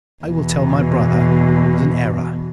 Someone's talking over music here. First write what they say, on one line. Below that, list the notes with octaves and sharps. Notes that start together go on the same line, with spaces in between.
"I will tell my brother it was an error."
E2 B2